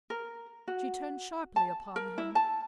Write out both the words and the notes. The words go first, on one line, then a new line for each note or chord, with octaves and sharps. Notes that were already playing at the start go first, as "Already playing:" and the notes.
She turned sharply upon him.
A#4
F#4
A5
A#4
E4
A5